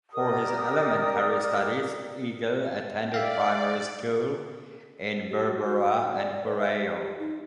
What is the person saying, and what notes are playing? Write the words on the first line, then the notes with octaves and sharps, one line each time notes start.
For his elementary studies, Egal attended primary school in Berbera and Burao.
G4 A#4 D5 D#6
D5 E5 F5 G5
G4
F#4
F#4
D5
D5
B4
E5
G4
D#4